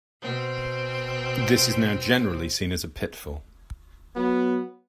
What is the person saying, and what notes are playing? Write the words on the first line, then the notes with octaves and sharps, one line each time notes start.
This is now generally seen as a pitfall.
B2 C4
F#3 B3